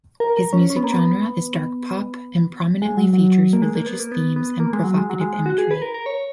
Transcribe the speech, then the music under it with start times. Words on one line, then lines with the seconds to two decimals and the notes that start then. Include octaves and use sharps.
His music genre is dark pop and prominently features religious themes and provocative imagery.
0.20 A#4
0.37 A#4
0.53 C#4
0.70 C#4
0.76 B3
0.84 A#3
0.92 B3
2.82 G#3
2.97 F#3
3.13 F#3
3.53 A#3
3.62 G#3
3.75 A#3
3.87 B3
4.00 A#3
4.12 B3
4.36 B3
4.60 A#3
4.73 G#3
4.84 F#3
4.97 G#3
5.10 F#3
5.21 G#3
5.34 G#3
5.46 F#4
5.58 G#4
5.71 B4
5.82 A#4
5.94 A#4
6.06 C#5